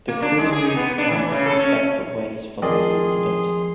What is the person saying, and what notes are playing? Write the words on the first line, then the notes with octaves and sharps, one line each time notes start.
The crew moved on to separate ways following the incident.
A#3
D4
G#3
G#4
D#4
B3
D4
E3
C#3
A4
C#4
F2 D#3 G#4 D5 D#5 C6